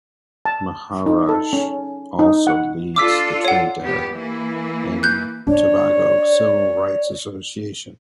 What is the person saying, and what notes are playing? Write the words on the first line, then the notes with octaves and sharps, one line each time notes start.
Maharaj also leads the Trinidad and Tobago Civil Rights Association.
A5
D#4
A4
C#4
D#4
F#5
D4 F4 A4 D6 E6 B6
C#5 F#5
E2 B3 G4
E3 A#3 E4
F#6 G6
D4 C#5 D5